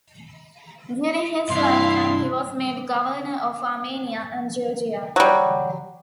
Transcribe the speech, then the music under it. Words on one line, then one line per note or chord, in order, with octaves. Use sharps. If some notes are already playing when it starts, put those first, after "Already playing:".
During his lifetime he was made governor of Armenia and Georgia.
G2 C3 D4 E4 F5 C6
F#3 G3